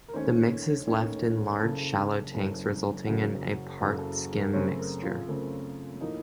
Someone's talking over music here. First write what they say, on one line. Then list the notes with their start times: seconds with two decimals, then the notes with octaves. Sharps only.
The mix is left in large shallow tanks resulting in a part skim mixture.
0.09 A#4
0.13 D#2 D#3 A3 C#4 C5
0.87 D#2 D#3 A3 C#4
1.60 F#1 F#2 C#3 A4
2.34 F#1 F#2 C#3
3.07 F#1 F#2 C#3 F#3 F#4
3.80 F#1 F#2 C#3 F#3 F#4
3.98 A4
4.36 A#4
4.54 F#2 C#3 A3 C4 C#5
4.79 A#4
5.03 F4
5.28 F#2 C#3 A3 C4
6.01 A2 F3 A#3 D#4